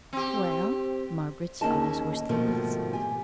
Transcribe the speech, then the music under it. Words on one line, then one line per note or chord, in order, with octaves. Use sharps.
"Well?" Margaret's eyes were still puzzled.
C4 G4
D#2 A#3 C#4 D#4 G#4 A5
D2
G#2 B2 D#3 F3 A3 A#3
G4 G#5